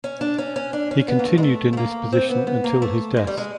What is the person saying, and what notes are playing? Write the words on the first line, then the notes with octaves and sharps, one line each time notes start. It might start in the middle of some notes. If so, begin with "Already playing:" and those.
He continued in this position until his death.
C#4
D4
C#4
C#4
D4
C#4
B3
A#3
A3
G#3
A3
A3
A#3
C4
B3
B3
A#3
A3
G#3
G3
G#3